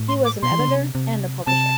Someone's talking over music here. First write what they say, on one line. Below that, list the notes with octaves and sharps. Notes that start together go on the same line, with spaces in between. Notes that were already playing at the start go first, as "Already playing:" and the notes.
He was an editor and a publisher.
Already playing: A2
C6
D6
B2 C6
E3
D3
C3
C3
C3 A5